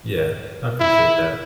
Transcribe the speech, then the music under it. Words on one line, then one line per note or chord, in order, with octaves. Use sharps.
Yeah. I appreciate that.
E4